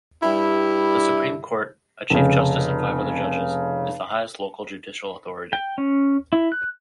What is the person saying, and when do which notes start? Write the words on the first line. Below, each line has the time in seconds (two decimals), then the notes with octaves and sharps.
The Supreme Court-a chief justice and five other judges-is the highest local judicial authority.
0.23 G2 G3 E4
2.10 F1 C#3
5.53 G5
5.78 C#4
6.33 E4
6.52 F#6